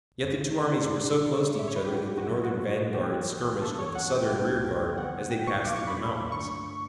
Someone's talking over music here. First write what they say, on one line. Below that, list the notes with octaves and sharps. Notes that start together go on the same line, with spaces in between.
Yet the two armies were so close to each other that the Northern vanguard skirmished with the Southern rearguard as they passed through the mountains.
F#2 D3 A3 C#4
D5
B2 G3 D4
A2 G3 C#4 E5
C#5
B4
G4
F#4
G4
F#4
B2 F#3 B3 E4
F#4
C#3 E3 G3 B3 G4
G2 E3 B3 A4
C#5
F#5
G5
C#2 B2 A3
F#2 D3 G3 B3 F#5
G5
C#6
E2 B2 F#3 D6
C#6
B5
G2 D3 A3 D4 C#6